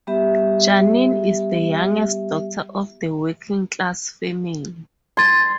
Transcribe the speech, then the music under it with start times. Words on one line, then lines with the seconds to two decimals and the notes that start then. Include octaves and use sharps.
Janine is the youngest daughter of a working-class family.
0.07 G3 B3 G4 E5
5.17 C6 G#6 A6